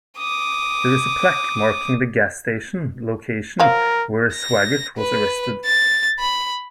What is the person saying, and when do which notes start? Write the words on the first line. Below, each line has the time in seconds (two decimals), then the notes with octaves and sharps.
There is a plaque marking the gas station location where Swaggart was arrested.
0.18 D6 D#6
3.60 F3 F#3 A#4 F5
4.34 A#6
4.98 B4
5.65 A6
6.19 B5